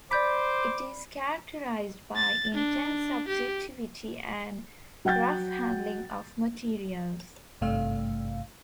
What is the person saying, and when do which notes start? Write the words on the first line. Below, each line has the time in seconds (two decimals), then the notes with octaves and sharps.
It is characterized by intense subjectivity and rough handling of materials.
0.11 C5 D5 B5 D6 G6 B6
2.16 A6
2.55 D4
3.28 G4
5.05 F#3 F#5 G5 G6 A6
7.61 G#1 G2 C3 A3 F5